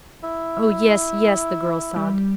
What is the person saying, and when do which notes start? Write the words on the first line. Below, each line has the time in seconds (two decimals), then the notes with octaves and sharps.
"Oh, yes, yes," the girl sobbed.
0.24 E4
1.96 G3